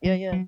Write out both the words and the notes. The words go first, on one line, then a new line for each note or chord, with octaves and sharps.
Yeah, yeah.
F#3
F#3